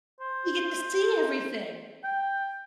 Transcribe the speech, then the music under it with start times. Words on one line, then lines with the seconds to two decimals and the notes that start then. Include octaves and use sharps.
You get to see everything.
0.21 C5
2.04 G5